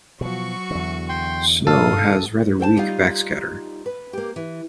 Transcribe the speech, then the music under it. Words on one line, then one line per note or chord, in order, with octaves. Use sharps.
Snow has rather weak backscatter.
B2 F3 F#3 F#4 C#6
E2 D3
G5 C6
G2 C3 D#3 A4 F5 D#6
A4 C5 G5 A5
G3 D#4 F4 F5
B4
A#3 G4
E3